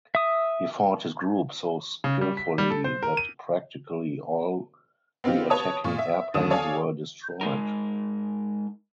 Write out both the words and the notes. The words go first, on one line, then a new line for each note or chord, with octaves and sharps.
He fought his group so skillfully that practically all the attacking airplanes were destroyed.
E5 D#6
C#3
G3
B6
G3
A4
C5
A#4
D#7
B3 C4 D#4 F4 G4
B4 C#5 A5 D#6
A#2 C#6
E5
D#2 D3 A3 D#6 E7
A4 C#5 D5 F5 G#5
G#3 D#4 A#4